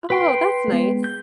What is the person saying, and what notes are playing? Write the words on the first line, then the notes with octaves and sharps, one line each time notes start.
Oh, that's nice.
B4 G5 C6
G#3 B3
G6